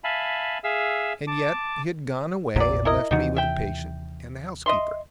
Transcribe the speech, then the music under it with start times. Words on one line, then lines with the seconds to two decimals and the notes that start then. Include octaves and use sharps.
And yet he had gone away and left me with the patient and the housekeeper.
0.04 E5 F5 G#5 A5 B5
0.64 G#4 E5 F5 E6
1.27 A5 D6
2.56 A1 E2 A#2 F#3 D5
2.85 E4 A#4 D#5
3.11 D#2 C3 E3 D#4 F#4
3.36 E5 G5
4.66 D#5 E5 C6